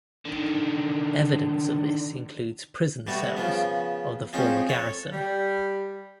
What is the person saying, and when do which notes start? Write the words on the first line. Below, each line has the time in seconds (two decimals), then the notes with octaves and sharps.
Evidence of this includes prison cells of the former Garrison.
0.25 D3 D#3
3.07 B2 G3 A3 F#4
3.37 C#3 F3 B3
4.33 F3 G#3 C4 C#4 D#4
4.69 A4 C#5
5.13 G3